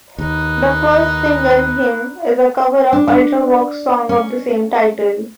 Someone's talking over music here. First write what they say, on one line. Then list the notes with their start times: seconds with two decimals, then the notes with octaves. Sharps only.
The first single "Hymn" is a cover of Ultravox song of the same title.
0.18 D#2 D#4 B4
2.93 D4
3.08 D4
4.09 C#4